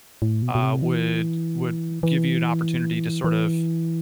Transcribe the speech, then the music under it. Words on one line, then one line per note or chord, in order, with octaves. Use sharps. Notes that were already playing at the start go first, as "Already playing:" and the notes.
uh, would would give you an opportunity to sort of
A2
B2
B2
C3
E3
E3
E3